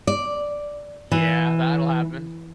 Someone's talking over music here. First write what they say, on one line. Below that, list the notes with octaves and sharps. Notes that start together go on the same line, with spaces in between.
Yeah, that'll happen.
D5
E3